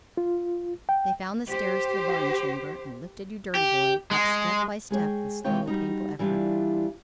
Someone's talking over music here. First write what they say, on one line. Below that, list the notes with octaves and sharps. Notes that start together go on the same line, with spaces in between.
They found the stairs to the barn chamber, and lifted You Dirty Boy up step by step with slow, painful effort.
F4
G5
G4 C5
G4
G#3
G#3 G#4 C#5 G5
C3 G#3 F4 C#5 G5
G3 D#4 F#4
E3 G3 D4 F4